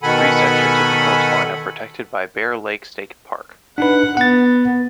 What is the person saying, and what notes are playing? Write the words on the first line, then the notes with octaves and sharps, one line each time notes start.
Three sections of the coastline are protected by Bear Lake State Park.
B2 D#3 A4 F#5 G#5 B5
D4 D#4 B4 F#5
B3 F#5 A6